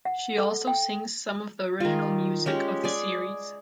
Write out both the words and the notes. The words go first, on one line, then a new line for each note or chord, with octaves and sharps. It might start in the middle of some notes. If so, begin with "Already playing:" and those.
She also sings some of the original music of the series.
F#5
A4
G5
D#3 F4
G#3 C#4 G4
G#4 D5 G#5